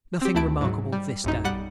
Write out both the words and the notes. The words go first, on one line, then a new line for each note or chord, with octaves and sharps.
Nothing remarkable this day.
C4 G4
D2 A3 E4 A5 D7
G#2 F#3
G3
A#1 F#2 D#4
B1 G3 F#5 F#6